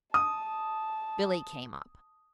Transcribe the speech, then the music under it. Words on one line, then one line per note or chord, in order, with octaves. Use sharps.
Billie came up.
A5 D#6